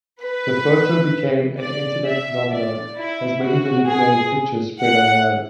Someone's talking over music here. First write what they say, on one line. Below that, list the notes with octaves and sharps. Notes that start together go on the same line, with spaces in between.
The photo became an Internet phenomenon as many manipulated pictures spread online.
B4
D5
E5
D5
E4
F#4
G#4
F#5